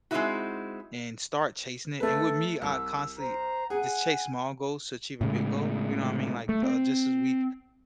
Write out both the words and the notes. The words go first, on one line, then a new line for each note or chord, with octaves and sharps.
and start chasing it and with me, I constantly just chase small goals to achieve a big goal. You know what I mean? Like, uh, just this week,
G#3 C4 C#4 D#4 E4 F#4
A3 A4 B4
C2 E6
C5 A#5
G#4 F#5 G#5
A2 C#3 G#3
A3
C4